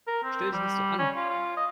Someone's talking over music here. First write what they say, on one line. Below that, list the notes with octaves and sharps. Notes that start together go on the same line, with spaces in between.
Stell dich nicht so an!
A#4
C4
G3
C#4
F4
F4
D#5